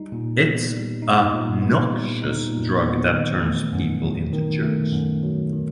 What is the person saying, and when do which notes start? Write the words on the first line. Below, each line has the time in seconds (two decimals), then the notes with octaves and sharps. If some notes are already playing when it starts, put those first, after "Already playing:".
It's a noxious drug that turns people into jerks.
Already playing: G3 D#4
0.12 A#2
0.42 B3
0.72 G3
1.02 D#4
1.33 A#2
1.62 B3
1.92 G3
2.22 D#4
2.52 A#2
2.83 B3
3.12 D#3
3.42 A3
3.73 F#2
4.03 F#3
4.33 D#3
4.63 A3
4.93 F#2
5.23 F#3
5.53 D#3